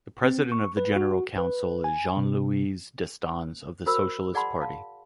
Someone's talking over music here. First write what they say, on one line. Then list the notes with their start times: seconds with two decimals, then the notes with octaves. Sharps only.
The President of the General Council is Jean-Louis Destans of the Socialist Party.
0.24 C4
0.52 C#6
0.77 B4
0.96 F#4
1.38 B4
1.84 G#5
2.17 C3
3.86 F#4 A#4 C5 B5 E6
4.34 G#4 D5 F#5 A5 B5 C6
4.61 F5 A5